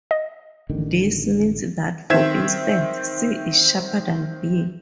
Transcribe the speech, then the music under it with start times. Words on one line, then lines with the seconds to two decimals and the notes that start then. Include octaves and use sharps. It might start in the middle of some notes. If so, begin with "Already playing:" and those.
This means that, for instance, C' is sharper than B.
0.11 D#5
0.69 A1 D3 D#3
2.10 D#3 C4 E5 G#6 E7